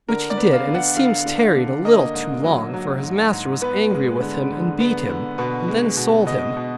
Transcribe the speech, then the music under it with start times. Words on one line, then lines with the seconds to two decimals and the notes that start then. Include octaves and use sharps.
Which he did, and it seems tarried a little too long; for his master was angry with him, and beat him, and then sold him.
0.09 D3 A#4
0.30 D5
0.38 B3
0.53 F5
0.67 D3
0.74 F#5
0.97 D3 F5
1.26 D3
1.56 D3
1.85 A#3 D#5
2.14 G#2
2.44 F#3
2.74 F#3
3.03 G#2
3.33 G#2
3.62 B3 B4
3.91 G#3
4.21 D3
4.51 D3
4.80 B3
5.09 D3
5.38 B2 B4
5.68 G#3
5.97 B2
6.27 B2 D#5
6.57 B2